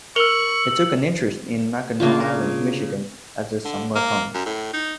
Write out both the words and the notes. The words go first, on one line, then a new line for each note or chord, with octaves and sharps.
He took an interest in Mackinac Island, Michigan as a summer home.
A#4 C#6 E6 C#7 F7 F#7
C#3 A#3 D4 F4
A#4
D3
A#3
F#2
A2
D#4